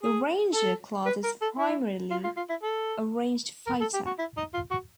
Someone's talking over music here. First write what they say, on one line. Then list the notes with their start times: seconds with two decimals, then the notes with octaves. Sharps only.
The ranger class is primarily a ranged fighter.
0.03 G#4
0.55 A4
1.06 B4
1.24 A#4
1.41 A4
1.59 E4
2.11 F4
2.24 F4
2.37 F4
2.49 E4
2.63 A4
3.67 A#4
3.81 A4
3.94 G4
4.06 F#4
4.19 E4
4.37 D#4
4.54 F4
4.71 F#4